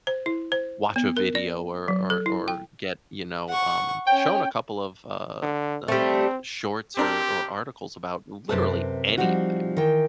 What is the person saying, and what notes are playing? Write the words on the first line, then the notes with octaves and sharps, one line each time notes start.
watch a video or or or get, you know, um, shown a couple of, uh uh, shorts or or articles about literally anything
C5
E4
C5
B3
A#4
D5
F#3
A4
E4
G5
F#5 C#6
C#4 C#5 G5
D3
G3 A3 C4
C4 D4 G4 A#4
F#2 C3 E3 A4 B4 A5
F3 G3 C4 D#4 F#4
D#3 E3 G5